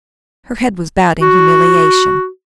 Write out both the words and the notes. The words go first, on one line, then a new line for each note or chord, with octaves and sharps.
Her head was bowed in humiliation.
F#4